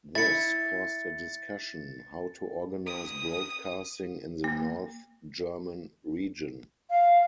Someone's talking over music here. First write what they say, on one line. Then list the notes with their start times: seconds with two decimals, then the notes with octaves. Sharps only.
This caused a discussion how to organise broadcasting in the North German region.
0.15 E4 A6 C#7
2.87 D#6
4.44 A#3
6.90 F5